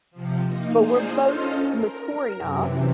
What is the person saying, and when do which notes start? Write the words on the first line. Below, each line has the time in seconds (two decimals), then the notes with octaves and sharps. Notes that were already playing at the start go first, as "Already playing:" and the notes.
but we're both mature enough
0.11 C3 F3
0.45 A#3 D#4
0.77 D4 D#4 F4 G#4 C5
1.19 C#4 F4 A4 C5 D#5 F5
1.64 A#4
2.37 F#2 C3 E3